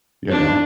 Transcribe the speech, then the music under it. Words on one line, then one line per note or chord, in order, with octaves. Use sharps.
you know?
D4